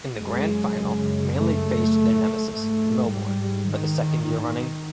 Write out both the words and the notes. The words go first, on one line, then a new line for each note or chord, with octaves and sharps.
In the Grand Final, Manly faced their nemesis Melbourne for the second year running.
F#2 C#3 G#3
A3
G#2 A3
G3
D#3